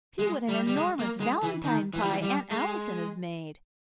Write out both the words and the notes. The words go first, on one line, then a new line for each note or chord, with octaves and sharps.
"See what an enormous valentine pie Aunt Allison has made!"
G#3
G3
G3
G#3
A#3
G#3
E3
D#3
E3
G3
E3
G3
G#3